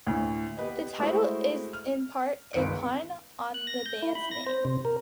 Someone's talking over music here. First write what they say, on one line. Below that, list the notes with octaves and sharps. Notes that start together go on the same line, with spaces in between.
The title is in part a pun on the band's name.
D2 A2
B3 G4 B4 D#5
G#3 A3 E4 F#4 C5
F6
G1 C#2 D#3 B4 C#7 D7
F#6
A#6
G6
E4
B5
A#6
C5
C3
A#4